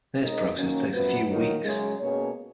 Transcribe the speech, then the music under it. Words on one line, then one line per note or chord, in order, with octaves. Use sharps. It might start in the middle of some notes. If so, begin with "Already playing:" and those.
This process takes a few weeks.
G#3 D#4 A#4 D#5
D#3 F#3 A#3 C#4
F#2 F3 B3 F#4 B4
D#3 F#3 A#3 D#4 A#4
F#2 C#3 G#3
B2 A#3 C#4 G#4 C#5